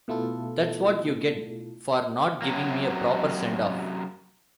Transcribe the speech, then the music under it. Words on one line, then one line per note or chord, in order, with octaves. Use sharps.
That's what you get for not giving me a proper send off.
B2 A3 E4 F4 A4
F#2 C3 F#3 A#3